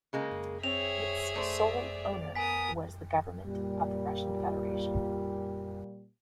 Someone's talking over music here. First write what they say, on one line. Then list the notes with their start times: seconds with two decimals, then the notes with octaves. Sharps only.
Its sole owner was the Government of the Russian Federation.
0.13 C#3 G#3 A#3
0.63 C4 G#4 C#5 E5 F7
1.36 A3 C5 D5
2.36 B3 A#4 G#5 D#6 B6
3.46 A#2 G3